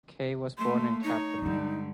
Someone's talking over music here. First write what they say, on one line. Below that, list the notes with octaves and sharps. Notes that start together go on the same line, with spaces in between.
Kaye was born in Clapton.
A3 A#3 C6
D#4 C#5
G2 D3 G#3 D4